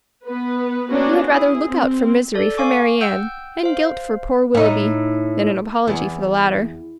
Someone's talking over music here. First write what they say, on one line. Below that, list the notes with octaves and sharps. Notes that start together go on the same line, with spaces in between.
You had rather look out for misery for Marianne, and guilt for poor Willoughby, than an apology for the latter.
B3 B4
A#3 B3 C#4 D4 F#4
E4 G#4
C4
A4 D5
F5 G#5 C#6 D6
F#5 G5 E6 G6
C5 F5
A2 D#4
E2